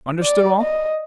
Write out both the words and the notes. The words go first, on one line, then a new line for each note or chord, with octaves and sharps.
Understood all?'
D5
D#5